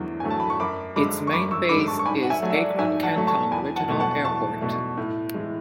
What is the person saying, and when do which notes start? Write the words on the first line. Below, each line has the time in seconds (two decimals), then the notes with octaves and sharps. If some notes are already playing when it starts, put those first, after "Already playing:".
Its main base is Akron-Canton Regional Airport.
Already playing: E2 D3 F#3 A3
0.20 D3 F#3 A3 G#5
0.30 A5
0.40 B5
0.50 C#6
0.60 F#2 B5 D6
0.96 D3 G#3 B5 D6
1.27 C#6
1.32 F#2 B5 D6
1.51 C#6 E6
1.69 D3 G#3 B5 D6
1.87 A5 C#6
1.99 C#6
2.06 G#2 G#5 B5
2.23 F#5
2.30 E5 G#5
2.42 F#3 A3
2.50 E5
2.54 D5 F#5
2.79 G#2 E5 G#5
3.03 F#5 A5
3.15 F#3 A3
3.27 A5 C#6
3.51 E2 G#5 B5
3.76 F#5 A5
3.88 B2 A3
4.00 F#5 A5
4.25 E2 A5 C#6
4.61 B2 A3
4.97 A2
5.34 E3 G#3